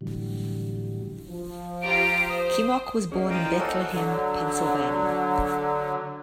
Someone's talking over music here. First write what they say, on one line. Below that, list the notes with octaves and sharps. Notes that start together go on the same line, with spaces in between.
Kimock was born in Bethlehem, Pennsylvania.
A2 D3 E3 F#3 G3
F3
F4 G4 A#5 D7
C5 D#6
G#2 D#3 A#3 C#4 G#4 D5 D#5
F3 F5 G5 A#5 D7 D#7
E3 D5
A#3 D#4 F#4 A4 C5 C#5 G#5
D3 F#3